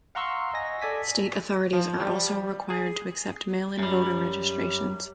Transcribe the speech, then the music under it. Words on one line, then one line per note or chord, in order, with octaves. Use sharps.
State authorities are also required to accept mail-in voter registrations.
F5 F#5 A#5 C6 C#6 E6
D#5 G#5 A#6
A4 D5 G#5 B6
F3
G3
G#4
F#2 G3